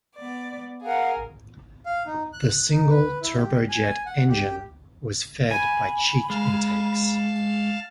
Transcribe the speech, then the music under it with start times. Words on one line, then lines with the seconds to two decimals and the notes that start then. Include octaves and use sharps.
The single turbojet engine was fed by cheek intakes.
0.15 B3 D5
0.82 G#4 A#4 F5 F#5
1.86 F5
2.07 D#4
2.33 F#6
2.71 D#4
2.90 B4
3.21 E4
3.37 G4
3.69 G#5
4.06 F#5
4.28 G4
5.51 G#5 B5
6.30 G#3 F5 A5 F6